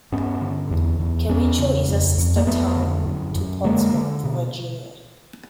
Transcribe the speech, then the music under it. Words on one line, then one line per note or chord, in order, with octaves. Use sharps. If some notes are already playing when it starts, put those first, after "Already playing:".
Kericho is a sister town to Portsmouth, Virginia.
G2 B3 C#4
D3
E2
E2
E2 B3 C#4
C#3
F2
F2
A#3
F2 A3 B3
D3
F#2
F#2
D3 G#3 A#3
D3
B2